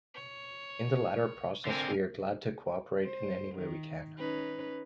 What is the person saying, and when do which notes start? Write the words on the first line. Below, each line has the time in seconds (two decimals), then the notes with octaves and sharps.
In the latter process we are glad to cooperate in any way we can.
0.14 C#5
1.65 D3 C4 A#4 G#5
3.04 C5
3.55 D#3
4.18 C#4 D#4 B4